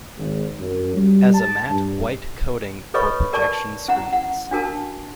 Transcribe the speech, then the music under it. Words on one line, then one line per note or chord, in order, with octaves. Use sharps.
As a matte white coating for projection screens.
G#1
F#2
G3
A5
G2
A4 B4 C#5 D#5 B5 C#6
A#4 D5 A5 C#6
C#4 E4 F#5 A#5
F#5
D4 F#4 A#4 A5